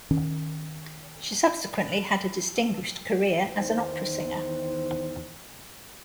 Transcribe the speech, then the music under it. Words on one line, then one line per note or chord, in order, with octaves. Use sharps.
She subsequently had a distinguished career as an opera singer.
D#3 C#4
E2 D#3 C5